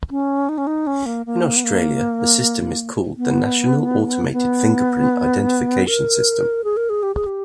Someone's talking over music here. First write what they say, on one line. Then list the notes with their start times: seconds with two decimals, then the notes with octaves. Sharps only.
In Australia, the system is called the National Automated Fingerprint Identification System.
0.10 C#4
0.49 D#4
0.58 C#4
0.67 D#4
0.87 C#4
1.06 A#3
1.26 A#3
1.57 B3
1.64 A#3
3.18 B3
4.33 B3
5.87 A#4
6.64 G#4
6.77 A#4
6.90 G#4
7.03 G4
7.15 G#4
7.26 G4